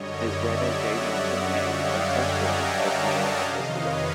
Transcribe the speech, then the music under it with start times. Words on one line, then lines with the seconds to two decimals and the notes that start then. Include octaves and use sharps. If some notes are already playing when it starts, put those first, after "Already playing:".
His brother J. Nelson Hay also served as mayor of Listowel.
Already playing: F#2 D3 G3 C#5 D#5
0.27 D5 E5
0.73 E5 F#5
1.62 F5 G5
1.92 F#5 G#5
2.22 G#5 A#5
2.52 G5 A5
2.82 E5 F#5
3.12 D5 E5
3.41 F2 C3 D#3 D#5 F5
3.71 B4 C#5